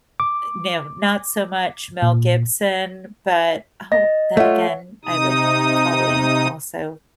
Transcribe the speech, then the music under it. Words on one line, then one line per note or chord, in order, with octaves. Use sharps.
Eh, no, not so much Mel Gibson, but, oh, then again, I would probably also
D6
A#2
D#5 A#6
A3 F4 C#5 E5 F#5
C3 D#4 D#6